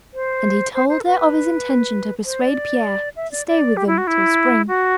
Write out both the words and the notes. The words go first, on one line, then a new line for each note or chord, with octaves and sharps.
And he told her of his intention to persuade Pierre to stay with them till spring.
C5
C5
C5
A4
B4
C5
D5
E5
D5
D5
G4
E4
F#4
E4
F#4